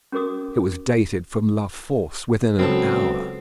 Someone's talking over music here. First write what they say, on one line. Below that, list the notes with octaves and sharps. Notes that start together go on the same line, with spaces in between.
It was dated from La Force, within an hour.
C#4 F#4 A#4 D6 D#6
C#2 F#3 B3 C4 A4